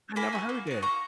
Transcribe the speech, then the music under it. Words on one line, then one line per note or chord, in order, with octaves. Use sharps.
I never heard that.
A#3 G#5 B5
D#4 F#4
A#3
D#4 F#4
A#3 A#5 C#6